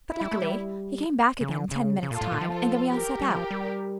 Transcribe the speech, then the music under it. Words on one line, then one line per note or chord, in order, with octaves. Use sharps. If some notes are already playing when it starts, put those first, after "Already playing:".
But, luckily, he came back again in ten minutes' time, and then we all set out.
E4
G3
A3
G3
C#3
D3
C#3
C#3
A#2 F4 A4
A2
A#2
F3
F4 A4
G4 A#4
G3
F3 G4 A#4
G3